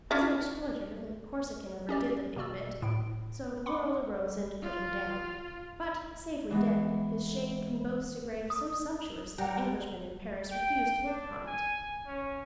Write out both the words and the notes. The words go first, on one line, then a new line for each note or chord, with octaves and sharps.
As an exploiter, the Corsican overdid the thing a bit--so the world arose and put him down; but safely dead, his shade can boast a grave so sumptuous that Englishmen in Paris refuse to look upon it.
C#4 D4
C#4 G4 D5
B2 A#3 F#4 D5 E6
D2 A2 D7
F#5 B5 C6 D6
F4
E3 G#3 B3
D#6
G3 F#5 G5 A#5
G5
D4
G#5
C#4